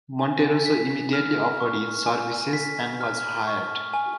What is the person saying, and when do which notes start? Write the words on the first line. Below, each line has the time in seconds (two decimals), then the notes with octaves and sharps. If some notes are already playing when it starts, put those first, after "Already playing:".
Monterosso immediately offered his services and was hired.
0.19 G#5
0.66 B6
1.13 F6
1.60 C#6
2.07 G#5
2.53 B6
3.01 F6
3.47 C#6
3.94 G#5